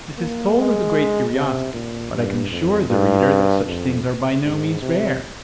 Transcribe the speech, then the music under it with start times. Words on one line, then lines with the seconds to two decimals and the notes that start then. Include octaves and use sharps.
This is told as a great curiosity; but I can assure the reader that such things are by no means rare.
0.19 A#3
0.58 G#3
1.35 C3
1.74 A#2
2.12 G2
2.51 F2
2.90 G2
3.66 F2
4.44 G#2
4.82 C3